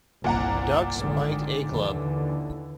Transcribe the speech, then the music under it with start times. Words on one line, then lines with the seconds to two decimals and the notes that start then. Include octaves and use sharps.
Ducks Mite A club.
0.24 G1 C2 A#2 F#5 A#5
0.97 G#1 D3 D#3
1.69 D#2 D3 E3